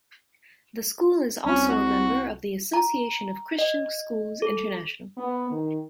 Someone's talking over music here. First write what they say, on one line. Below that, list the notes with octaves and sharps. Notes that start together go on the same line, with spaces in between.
The school is also a member of the Association of Christian Schools International.
C2 C#4
F#4
A#5
D#5
A4
B3
D#3